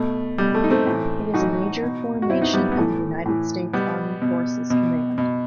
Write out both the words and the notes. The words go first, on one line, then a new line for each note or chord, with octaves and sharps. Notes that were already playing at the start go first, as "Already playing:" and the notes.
It is a major formation of the United States Army Forces Command.
Already playing: B2 A3
B2 G3
A3
D#4
A3 C4
A2 E3
A2 E3 D#4 F#4
B2
F#4
B2 C4 E4
B3 D#4
G3 B3
B3
A2 E3 A3
A2 E3
B2 G3 B3
B2
B2
B2